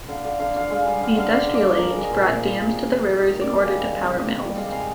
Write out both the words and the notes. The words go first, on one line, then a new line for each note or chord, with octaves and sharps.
The Industrial Age brought dams to the rivers in order to power mills.
D3 F5
D3 F5
D3 F5
D3 F5
G#3 F5
G3 F5
D3 F5
D3 F5
D3 F5
D3 D#5
D5
G3
G#3 A#4
G#3 A#4
D#5
A#2 C5
A#2 C5
G#3
A#2
C3
C3
C3
D#3 D#5
D#3
D5
G#3
D#5
G3 F5
G3
G3
C3
C3
G3
G#3 F5
C3 F5